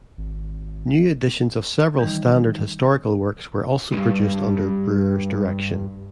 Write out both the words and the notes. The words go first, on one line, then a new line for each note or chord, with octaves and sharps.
New editions of several standard historical works were also produced under Brewer's direction.
G#1
D#3 E3 G3 D#4
B1 G2